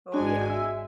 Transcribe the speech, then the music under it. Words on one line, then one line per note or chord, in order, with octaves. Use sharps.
Oh, yeah.
G#1 G#3 D4 F#4 G#5
E5